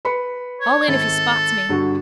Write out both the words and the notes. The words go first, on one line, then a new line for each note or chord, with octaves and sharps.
All in if he spots me.
B4 B5 C#7
C#5
G#1 A4
G2 D3 F#4